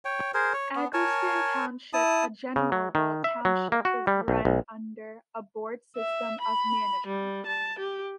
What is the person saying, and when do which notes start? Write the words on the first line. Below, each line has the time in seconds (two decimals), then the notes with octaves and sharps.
Egelston Township, a general law township, is run under a board system of management.
0.05 C#5 G5
0.34 G#4 A#4 C5
0.53 C#5
0.76 B3
0.93 A#4 C#5 G#5 A5
1.93 E4 A5 D#6
2.56 C#3
2.72 F#3
2.95 D#3
3.24 E5
3.45 F#3
3.72 A#3
3.85 F#4
4.07 G3
4.28 B1
4.45 B1
5.97 E5
6.42 B5
7.07 G3
7.47 A5
7.79 G4